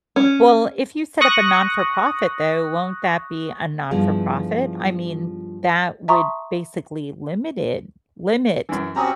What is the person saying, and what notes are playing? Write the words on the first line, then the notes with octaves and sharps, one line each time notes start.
W well, if you set up a non-for-profit, though, won't that be a non-for-profit? I mean, that would basically limit it limit
C#4
C#6 D#6 F#6 A#6
G2 F3 B3 E4 F4 G#4
E5 A5 A#5 C6 C#6 D#6
F#2 E3
C4 C#4 F#4 G4 A#5 D#6